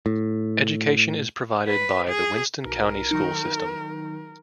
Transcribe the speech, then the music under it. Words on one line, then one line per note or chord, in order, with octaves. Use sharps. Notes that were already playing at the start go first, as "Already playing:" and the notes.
Education is provided by the Winston County School System.
A2
B4
G#4
B1 A#4
D#3 F#3 D#4